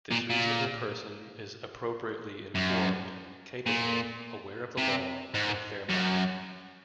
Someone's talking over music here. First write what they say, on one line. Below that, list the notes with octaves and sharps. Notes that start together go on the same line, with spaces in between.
This reasonable person is appropriately informed, capable, aware of the law, and fair-minded.
A#2
A#2
F#2
A#2
C3
G#2
F#2